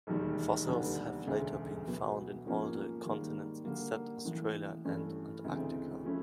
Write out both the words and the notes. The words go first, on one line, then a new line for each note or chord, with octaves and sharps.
Fossils have later been found in all continents except Australia and Antarctica.
E1 D#2 D#3 G3
F1 D#2 D3 G3 B3
E1 D2 C#3
B2 F#3 B3
G#2 F3 A#3 C#4
G#2 D#3 G3 A#3
D3 G3 A#3
A1 A2 E3
G2 E3 A3 C#4
D2 C#3 E3 G#3 C4
F3 A3 C#4 E4